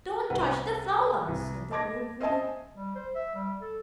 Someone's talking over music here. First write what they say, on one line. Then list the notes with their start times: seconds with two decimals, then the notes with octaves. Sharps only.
"Don't touch the flower!" said the old woman.
0.30 C2 C4 B4 F#5
1.24 C2 E3
1.71 D#5 A5 D6 G#6 A#6
2.20 C5 D#5 E5 G#5 A5 D#6
2.77 G3
2.95 C5
3.16 E5
3.35 G3
3.61 A4